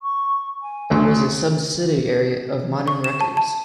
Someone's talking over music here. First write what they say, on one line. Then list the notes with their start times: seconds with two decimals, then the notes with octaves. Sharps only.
It was a subsidiary of Modern Records.
0.01 C#6
0.62 G#5
0.90 D2 A3
2.88 C#6
3.04 E7
3.21 A5
3.37 A5